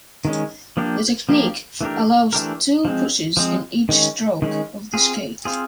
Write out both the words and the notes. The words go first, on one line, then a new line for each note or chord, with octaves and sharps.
The technique allows two pushes in each stroke of the skate.
D#3 G#3 C#4
F3 A#3 D4 G4
F3 A#3 D4 G4
E3 A3 D4 G4 A#4
E3 A3 D4 G4 A#4
F3 G#3 C4
F3 G#3 C4
D#3 G#3 C#4
D#3 G#3 C#4
C4 F4 G#4
C4 F4 G#4